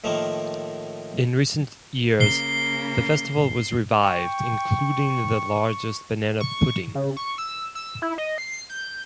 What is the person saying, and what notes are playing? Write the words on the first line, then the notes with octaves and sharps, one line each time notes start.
In recent years, the festival was revived including the largest banana pudding.
A2 D#3 F3 A3 A#3
C#3 A#3 C7 G7
G5 C#6
C#6
C#3
C#6
E6
E6
E4
D#5
C7
G6